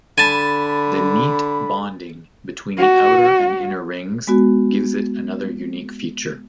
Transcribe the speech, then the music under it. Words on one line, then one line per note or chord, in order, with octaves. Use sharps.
The neat bonding between the outer and inner rings gives it another unique feature.
D3 G#5 A5 B5
F#4
G#3 B3 F#4